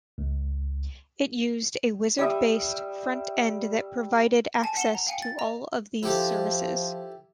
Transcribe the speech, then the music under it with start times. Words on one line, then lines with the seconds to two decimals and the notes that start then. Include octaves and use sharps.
It used a Wizard-based front-end that provided access to all of these services.
0.18 C#2
2.19 G3 E5 D#6
4.63 G#5 A5
4.77 F#5 E7 G7
4.95 A#5
5.07 F5 G5 G#5 C#7
5.22 A6
5.39 D#5 A#5
6.03 F3 E4 G4 A4